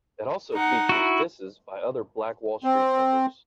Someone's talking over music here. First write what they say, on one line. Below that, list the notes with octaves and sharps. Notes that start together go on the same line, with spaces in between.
It also features disses by other Black Wall Street Members.
D#4 F#5
E4 F#4
C4